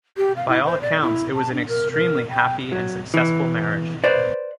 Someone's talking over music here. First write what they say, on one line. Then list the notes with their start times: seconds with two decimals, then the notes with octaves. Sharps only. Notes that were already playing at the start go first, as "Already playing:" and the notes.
By all accounts, it was an extremely happy and successful marriage.
0.17 G4
0.36 F5
0.48 E4
0.65 C5
0.81 D5
1.01 E4
1.35 A5
1.52 D4
1.68 A#4
1.92 A#4
2.30 G5
2.72 F#3
3.14 E3
4.04 B4 C5 D5